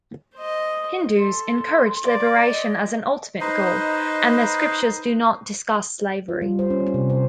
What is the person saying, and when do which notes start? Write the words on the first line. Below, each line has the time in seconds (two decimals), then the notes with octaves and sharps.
Hindus encourage liberation as an ultimate goal, and their scriptures do not discuss slavery.
0.35 C5 D#5
1.18 A4 C6
2.04 D5
2.51 D#5
3.41 D#4 B4 C5 D#5
6.28 F4
6.42 G3
6.59 C5
6.70 C#4
6.94 C3
7.10 C5